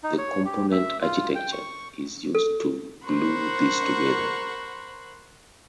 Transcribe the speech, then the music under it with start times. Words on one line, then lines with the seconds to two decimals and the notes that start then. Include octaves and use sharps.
The component architecture is used to glue these together.
0.03 D#4
0.18 C#5
0.45 G4
0.72 E5
1.02 F4
1.35 G5
1.53 C#6
2.35 A4
3.06 A#4 C5 F#5 B5 C#6